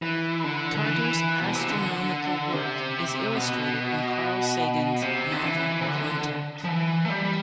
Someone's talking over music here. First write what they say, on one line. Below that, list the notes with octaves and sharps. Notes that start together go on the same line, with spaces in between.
Tarter's astronomical work is illustrated in Carl Sagan's novel "Contact".
E3
D3
D3
E3
B2
C3
D3
C3
B2
C3
D3
E3
C3
D3
F3
E3
A3
G3